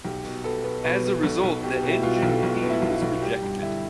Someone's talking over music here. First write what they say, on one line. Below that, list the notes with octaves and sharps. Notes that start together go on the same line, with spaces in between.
As a result the "Engin P" was rejected.
B1 G4
B2
B3 A4
B3
B2 B4
B3
B1 A4
B1
B2 G4
G4
B2
E4
B2 F4
G4
B1
A4
B1 F4
F4
B3
E4
B1 F4
B1
G3 G4
G2
D3 E4